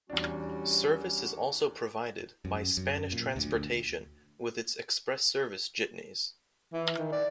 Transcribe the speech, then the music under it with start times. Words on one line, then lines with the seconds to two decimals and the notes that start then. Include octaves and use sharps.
Service is also provided by Spanish Transportation with its Express Service jitneys.
0.10 E2 G3 C#4 D4 F#4
2.45 F#2
2.77 F#2
3.12 A#2
3.36 D2
6.73 E3
6.98 D#3
7.12 D5